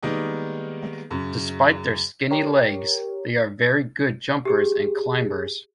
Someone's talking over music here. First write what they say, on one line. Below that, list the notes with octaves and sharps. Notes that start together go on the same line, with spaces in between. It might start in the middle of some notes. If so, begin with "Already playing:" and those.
Despite their skinny legs, they are very good jumpers and climbers.
D#3 G3 G#3 A#3 B3 D#4
F#2 C#3
G4 A#4 C#5
G4 G#4